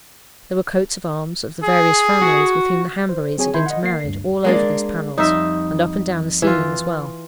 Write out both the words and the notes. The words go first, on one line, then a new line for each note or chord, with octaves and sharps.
There were coats of arms, of the various families with whom the Hanburys had intermarried, all over these panels, and up and down the ceiling as well.
G#4
F#4
C5
F#3 C4 G#4 C#5 G#5
D#3 E4 C6 G6 G#6
D#5 F#5
A#3 C7
D2 G2
G#3 A#3 D4
F2 G3 D#4 E5
E3 F4